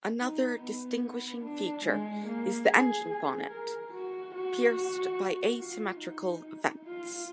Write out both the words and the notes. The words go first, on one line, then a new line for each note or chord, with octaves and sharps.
Another distinguishing feature is the engine bonnet, pierced by asymmetrical vents.
D#4
B3
B3
D4
G#3
A#3
G#4
G#4
A#4
F#4
F#4
F4
D#4
F4